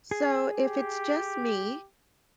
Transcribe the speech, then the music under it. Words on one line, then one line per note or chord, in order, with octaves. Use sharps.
So if it's just me,
G#4
G4